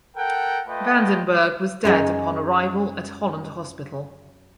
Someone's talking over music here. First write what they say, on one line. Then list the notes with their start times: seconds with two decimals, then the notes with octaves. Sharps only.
Vandenberg was dead upon arrival at Holland Hospital.
0.16 A4 A#4 F#5 G5
0.68 A3 F4 B4 D#5 G5
1.84 F#2 D#4 G#4